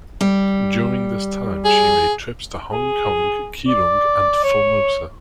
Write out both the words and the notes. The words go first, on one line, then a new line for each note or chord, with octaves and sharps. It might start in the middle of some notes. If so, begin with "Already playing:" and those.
During this time, she made trips to Hong Kong, Keelung and Formosa.
G3
G#4
G#4
D5
C#5